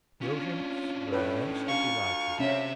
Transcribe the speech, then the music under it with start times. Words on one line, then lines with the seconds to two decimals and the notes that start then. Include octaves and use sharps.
The audience were immensely delighted.
0.22 C#4 D4 F4
1.13 A2 B4
1.68 D2 F4 F5 C#6
2.40 C3 C4 C#4 E5